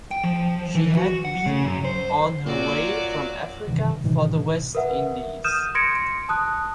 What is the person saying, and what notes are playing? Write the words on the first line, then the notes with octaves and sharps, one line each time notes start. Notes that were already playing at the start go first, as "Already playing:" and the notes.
She had been on her way from Africa for the West Indies.
G5
F3
E3
F#4
F#5
C#3
F#2
C5
A#2 F#3 F4 F#4 D5
G2 C3 D#3 E3
A2 C3 D#3 E3
A#4 B4 E5 F#5
D#6 F6 G6 D#7 E7
C6 G#6 A#6 C#7 D7
A5 D#6 F#6